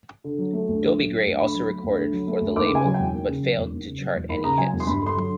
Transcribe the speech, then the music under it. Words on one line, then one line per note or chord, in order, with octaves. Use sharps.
Dobie Gray also recorded for the label but failed to chart any hits.
D3
F#3
A3
D2
D3
F#3
A3
D2
D3 B5
F#3
A3
D2
D3
F#3
A3
D2
D#2 D6
C#3 G#5
F#3
E1 G5
D#2
C#3
F#3
E1
D#2
C#3
F#3
E1
D#2 B5
C#3 A#5
F#3 G#5
E1
C6
G2 B5
D3 C6
F#3